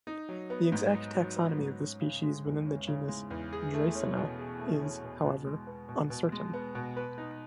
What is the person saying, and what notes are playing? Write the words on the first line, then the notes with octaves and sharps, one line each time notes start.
The exact taxonomy of the species within the genus "Dreissena" is, however, uncertain.
D#4
F#3
B3
G#2
D#4
F#3
B3
G#2
C#4
C#3
G#3
E2
C#4
C#3
G#3
E2
G#4
A3
C#4
B2
G#4
A3
C#4
B2
B2
G#3
B3
B2
B2
G#3
B3
B2
B4
D#4